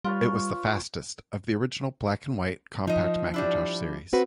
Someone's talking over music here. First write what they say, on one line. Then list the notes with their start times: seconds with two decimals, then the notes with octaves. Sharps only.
It was the fastest of the original black-and-white compact Macintosh series.
0.04 G3 F4 B4 C#5
2.87 F3 D#4 D#5
3.34 G3 D4 E4
4.13 C4 F#4 B4